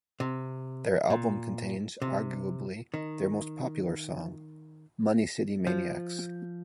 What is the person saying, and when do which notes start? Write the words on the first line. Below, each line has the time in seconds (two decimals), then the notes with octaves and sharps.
The album contains arguably their most popular song, "Money City Maniacs".
0.20 C3
1.10 A#2
2.02 C3
2.94 D#3
5.67 F3